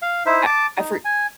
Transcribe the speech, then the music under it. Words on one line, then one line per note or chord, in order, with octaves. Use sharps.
I I for
F5
D#4 E4 C5 E5
A5 D6
D#4
G#5